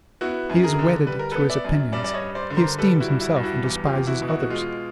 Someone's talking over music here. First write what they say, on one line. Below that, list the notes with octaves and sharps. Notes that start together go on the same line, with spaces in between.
He is wedded to his opinions; he esteems himself, and despises others.
B3 E4 F#4
F#2
G#4 A#4
D3
G3 B4
A#4
B3 A4 B4
D5 E5
F#2
G2 D5 E5
D5
C#5 D#5
G2
C5 D5
D3
A#4 C5
G3 A4 B4
E4 F#4
G2
E4 F#4
G2
E4 F#4
E2
F4 G4
E2
E4 F#4
B2
E4 F#4
F#4
G#3 F4